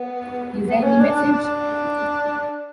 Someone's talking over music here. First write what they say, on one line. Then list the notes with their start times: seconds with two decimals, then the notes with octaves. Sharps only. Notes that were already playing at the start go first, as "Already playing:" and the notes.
Is there any message?
Already playing: B3
0.67 B3
0.83 C#4
1.00 D4
1.16 D4
1.32 D4